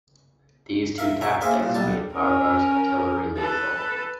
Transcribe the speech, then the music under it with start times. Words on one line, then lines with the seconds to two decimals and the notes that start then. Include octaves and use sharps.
These two tactics made Babur's artillery lethal.
0.98 A#4 E5 F5
1.21 E5 F#5 A#5 C#6
1.41 A#3 C4 G#4 C5 E5 F5
1.60 C2 A#2
1.74 B1 D3 G3 A5
2.12 C#4 A#4
3.37 A4 B4